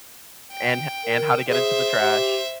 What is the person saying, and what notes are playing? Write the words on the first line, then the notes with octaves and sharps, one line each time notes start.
and ho and how to get into the trash
G5
A#4
G#4 C5 E5
G4